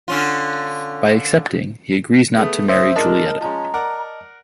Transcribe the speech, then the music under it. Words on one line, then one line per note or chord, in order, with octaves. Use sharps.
By accepting, he agrees not to marry Giulietta.
D3 C#4 F4
A3 B3 G#4
G#2 C#3 C5 E5 D#6
A#2 G#3 D4 A#4 D#5 A5
F3 G#3 C#4 A#5
A#4 D5 F#5